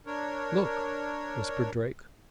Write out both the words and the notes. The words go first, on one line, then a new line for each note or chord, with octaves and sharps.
"Look," whispered Drake.
D4 A#4 C#5